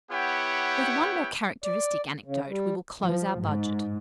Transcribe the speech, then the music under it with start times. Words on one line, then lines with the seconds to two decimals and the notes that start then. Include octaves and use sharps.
With one more characteristic anecdote we will close our budget.
0.12 B3 E4 G4 C#5 F#5 G5
1.64 D5
2.25 C#3
2.48 G3
3.00 F3
3.39 G#2